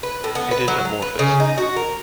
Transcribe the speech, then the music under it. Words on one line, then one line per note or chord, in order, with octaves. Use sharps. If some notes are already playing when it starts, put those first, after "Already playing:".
It is amorphous.
B4
A2
B3
B4
F#3
F5
B4
C#3
D#4
F#4
A#4